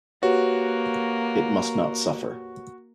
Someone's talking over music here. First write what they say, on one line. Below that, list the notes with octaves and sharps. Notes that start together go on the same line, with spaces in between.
It must not suffer.
A#3 F#4 G4 B4 C#5